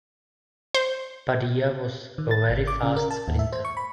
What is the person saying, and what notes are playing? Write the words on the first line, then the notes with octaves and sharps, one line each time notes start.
Padilla was a very fast sprinter.
C5
D#3
A6
G#1
D6
C#3
A#4
A5
D#2
E5
C5
C#6
B5